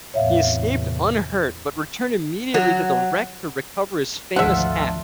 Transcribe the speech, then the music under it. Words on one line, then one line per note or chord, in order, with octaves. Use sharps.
He escaped unhurt, but returned immediately to the wreck to recover his famous hat.
E2 A2 C3 C#5 E5 F5
F#3
G#1 D2 F3 D4 F4 A4 E5 F#5